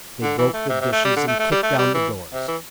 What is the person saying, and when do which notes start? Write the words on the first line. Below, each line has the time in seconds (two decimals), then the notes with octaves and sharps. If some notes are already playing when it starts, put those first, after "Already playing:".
They broke the dishes and kicked down the doors.
0.22 D3
0.38 E3
0.54 A3
0.69 C3
0.81 C3
0.92 A3
1.05 G3
1.16 D3
1.27 A3
1.39 A3
1.51 G3
1.63 A3
1.78 G3
1.94 E3
2.33 C3
2.48 E3